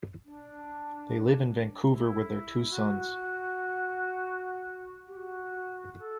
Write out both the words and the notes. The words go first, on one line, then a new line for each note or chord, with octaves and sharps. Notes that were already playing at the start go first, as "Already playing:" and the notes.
They live in Vancouver with their two sons.
D4
E4
F#4
G4
F#4
A4